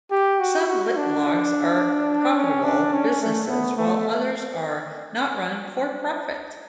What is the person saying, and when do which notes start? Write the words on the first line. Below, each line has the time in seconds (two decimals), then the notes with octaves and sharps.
Some litblogs are profitable businesses while others are not run for profit.
0.11 G4
0.40 F#4
0.68 F#4
0.96 D4
2.36 C#4
2.65 D4
2.93 C#4
3.22 A3
3.49 B3
3.77 A3